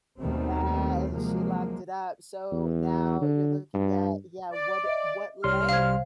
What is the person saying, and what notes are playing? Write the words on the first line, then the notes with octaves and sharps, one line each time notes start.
Yeah, and she locked it up, so, now you're looking at yeah, what what length
D#2 B2 D#3 G3 A3 C4
C3 F3 F#3 G#3 A#3
E2
D3
G2
D5
D#5 E5
C2 G3 C#5 C6 F6
C3 C5 F5 G#6